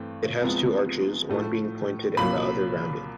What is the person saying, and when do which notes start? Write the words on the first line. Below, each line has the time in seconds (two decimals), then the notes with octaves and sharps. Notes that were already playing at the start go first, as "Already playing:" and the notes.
It has two arches, one being pointed and the other rounded.
Already playing: G2 E3 A3 C4
0.42 C2 C3 F3 G#3 B3
1.29 A2 F3 A3
2.17 C2 A#2 F#3 A#3 B5